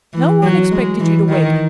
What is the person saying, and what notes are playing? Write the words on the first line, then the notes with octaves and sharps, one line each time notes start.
No one expected you to wake.
E3
F#3
G#3
E3
D#3